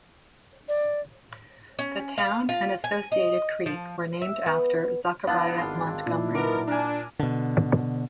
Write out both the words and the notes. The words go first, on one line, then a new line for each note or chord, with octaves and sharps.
The town and associated creek were named after Zachariah Montgomery.
D5
C#4
F5
F4
G#5
D#5
F3
E5
B3
B3 D4 E4 F5
G#1 E2 D#3 C6
A#2 F#3 D#4 E4
B3 A#4 D6
D4 A#4 G#5
B2 D3